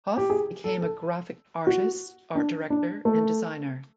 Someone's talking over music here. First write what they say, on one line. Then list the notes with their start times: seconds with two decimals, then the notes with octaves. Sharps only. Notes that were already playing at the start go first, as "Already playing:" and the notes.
Hough became a graphic artist, art director and designer.
0.18 G4
0.30 G#4
0.64 A4
0.81 A4
1.67 F#4
2.35 D4
2.70 D4
3.05 A3